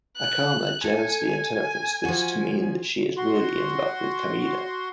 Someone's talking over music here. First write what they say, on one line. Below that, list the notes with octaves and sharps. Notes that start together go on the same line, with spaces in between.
Akama jealously interprets this to mean that she is really in love with Kameda.
F#6
A4 G#5
F3 F#4
F#4 C6